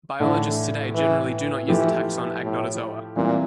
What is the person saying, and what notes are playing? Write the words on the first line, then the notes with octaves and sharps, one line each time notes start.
Biologists today generally do not use the taxon Agnotozoa.
A2 D3 E3 A3 E4
E3
E3 F3 A3 E4 G4
A2
A#2 E3 G3 C4